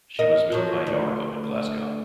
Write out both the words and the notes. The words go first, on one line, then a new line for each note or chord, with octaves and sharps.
She was built by Yarrow at Glasgow.
A#4 D#5
F3 F#3
D2